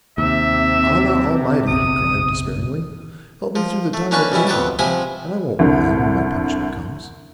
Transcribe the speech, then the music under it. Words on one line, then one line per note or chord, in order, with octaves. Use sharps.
'Allah Almighty!' he cried despairingly, 'help me through the time of waiting, and I won't whine when my punishment comes.
D#2 C3 E5
F#1 B1 D#6
F3
A3
A#3 C#4 D4 B4 C#6
B1 G3 C#4 E4
F2 B3 C#5 G5 A5 D6
C3 F3 C5 E5 G#5 B5
C2 D3